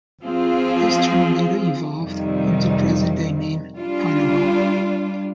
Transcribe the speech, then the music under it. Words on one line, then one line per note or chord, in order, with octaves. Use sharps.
This term later evolved into present day name Panabo.
F3 C4 F4 G#4
F2 C3 D#3 G3
G3 D4 F4